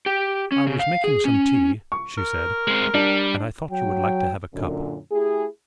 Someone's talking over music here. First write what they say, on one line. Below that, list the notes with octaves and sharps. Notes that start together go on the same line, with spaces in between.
"I was making some tea," she said, "and I thought you would like to have a cup."
G4
C#4
C#3
F5
G#4
C#4
C#6
A#4
G#3 C4
G3 D4
F#3 G5
F#2 A#2 D3
A3 E4 G4 G#4